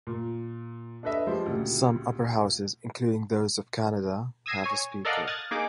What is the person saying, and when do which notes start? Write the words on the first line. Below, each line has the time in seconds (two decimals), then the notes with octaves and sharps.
Some upper houses, including those of Canada, have a speaker.
0.07 A#2
1.03 D4 A4 B4 D#5 E5
1.27 F3 G3 G#3 G4 C5
1.46 D2 A#2 C#3 G3
4.46 D#6 E6 G#6 A#6 C7 D#7
4.64 C#5 G#5
5.05 A4 A#4 D5 D#5 F5 F#5
5.27 D#6 F6 F#6 G#6 A6
5.51 A#3 D#4 G#4 D6